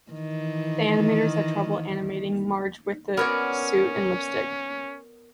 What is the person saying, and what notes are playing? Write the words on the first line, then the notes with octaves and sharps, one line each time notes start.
The animators had trouble animating Marge with the suit and lipstick.
D#3 E3
B3 C#4 F#4 A#4 C#5 D5